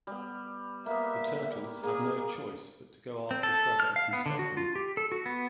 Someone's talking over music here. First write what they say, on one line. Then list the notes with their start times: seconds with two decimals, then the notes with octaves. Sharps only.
The Turtles have no choice but to go after Shredder and stop him.
0.07 G3 B3
0.86 A#3 B3 E5
1.83 A#3 G#4
3.31 C4
3.43 A4
3.80 F6
3.96 F5
4.13 B3
4.26 D3
4.39 F#4
4.57 F4
4.75 G4
4.97 A4
5.12 F#4
5.26 B3